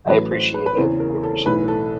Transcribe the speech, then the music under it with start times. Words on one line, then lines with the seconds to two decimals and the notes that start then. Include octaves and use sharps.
I appreciate it. I appreciate it.
0.08 A1 A2 F#3 B4
0.31 C5
0.54 B4
0.66 B4
0.77 E2 C#3 E3 C5
1.00 A#4
1.23 A4
1.46 B1 A2 E3 B4
1.68 A4